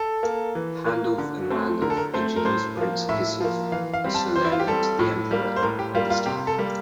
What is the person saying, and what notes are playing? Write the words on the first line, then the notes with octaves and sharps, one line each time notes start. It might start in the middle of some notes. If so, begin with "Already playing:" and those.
Pandulf and Landulf introduced Prince Gisulf of Salerno to the emperor at this time.
Already playing: A4
A#3
E3
A#3
D3
A3 C4
D3 A#4
A4
A#4
A3 C4 C5
A#4
A2 C5
F3 A#3
A2 E5
F3 A#3
E3 F5
F5
G3 C4
A5
E3 C5
E4
F4
G4
G3 C4 A4
A2
G3 A#3
C5
A2 A#4
G4
G3 A#3 F4
F4
C3 G4
A4
G3 A#3